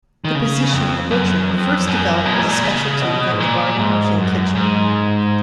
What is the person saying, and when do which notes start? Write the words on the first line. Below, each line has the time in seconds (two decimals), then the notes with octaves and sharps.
The position of "butcher" first developed as a specialty within the garde manger kitchen.
0.25 D#3
0.35 C#3
0.73 F2
1.11 F#2
1.49 F2
1.87 F#2
2.26 B2
2.33 A#2
2.41 G#2
2.49 A#2
2.63 C#3
3.02 B2
3.32 G#2
3.40 A#2
3.78 G#2
4.16 F#2
4.55 G#2